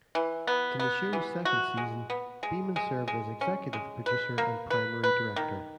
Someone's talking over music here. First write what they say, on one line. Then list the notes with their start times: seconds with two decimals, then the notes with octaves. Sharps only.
In the show's second season, Beeman served as executive producer and primary director.
0.15 E3
0.47 B3
0.79 B3
1.13 E3
1.45 F#4
1.77 G#3
2.10 B3
2.43 G#3
2.76 G#3
3.08 G#3
3.41 C#4
3.73 G#3
4.06 B4
4.38 A#3
4.70 B4
5.03 B4
5.36 D#3